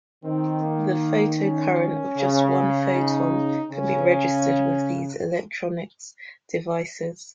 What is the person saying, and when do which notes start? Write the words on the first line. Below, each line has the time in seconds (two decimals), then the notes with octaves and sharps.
The photocurrent of just one photon can be registered with these electronics devices.
0.24 D#3 C4
0.62 A#3
1.39 C#4
2.17 C#3
2.94 D#4
3.71 C#3 C#4